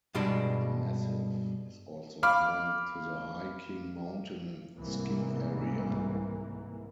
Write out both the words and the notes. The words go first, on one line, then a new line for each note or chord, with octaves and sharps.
The massif is also home to the High King Mountain Ski Area.
G2 B2 G3 G#3 D4
F5 B5 D6 F6
C2 G#2 E3 A#3